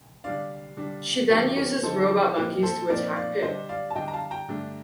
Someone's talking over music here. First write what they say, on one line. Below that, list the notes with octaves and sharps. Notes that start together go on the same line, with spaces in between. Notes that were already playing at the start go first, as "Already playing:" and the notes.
She then uses robot monkeys to attack Pip.
D3 G3 D4 D5 F5
D3 G3 D4
D3 F3 C4 D#4 G4
G4
G4 A#4
D3 F3 C4 D#4 A4 C5
A#2 F3 C4 D#4 G4 A#4
A4 C5
A#2 F3 C4 D#4 A#4 D5
D5 F5
D3 G3 D4 C5 D#5
D5 F5
A5
D3 G3 D4 D#5 G5
A#5
F5 A5
G5 A#5
G2 D3 A3 D4